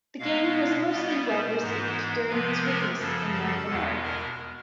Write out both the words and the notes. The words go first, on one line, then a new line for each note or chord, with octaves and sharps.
The game was mostly well-received during its release in North America.
B2 G#3 B3 F5
B2 G3 B3 D#5
C5
G#2 E3 G#3 B3
C3 F3 G#3 B3 B4
A#4
F#2 C#3 F3 A4
A4
E2 B2 G#3 B3
A#4